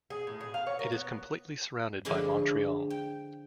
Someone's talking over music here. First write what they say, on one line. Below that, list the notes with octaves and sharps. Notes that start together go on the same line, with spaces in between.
It is completely surrounded by Montreal.
G#4
A2
G#4
F5
C#5
A#4
B3
D3 F3 G#3 D4 E4
G5